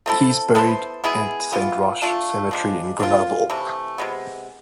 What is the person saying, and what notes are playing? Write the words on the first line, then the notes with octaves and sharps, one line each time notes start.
He is buried at Saint Roch Cemetery in Grenoble.
A3 C4 E4 A4
B3 E4 A4 C5
G#3 B3 E4 G#4
E3 B3 F4
A3 D4 F4
F3 G#3 D4
D3 A3 C4 F4
C3 E3 A3
C3 G#3 B3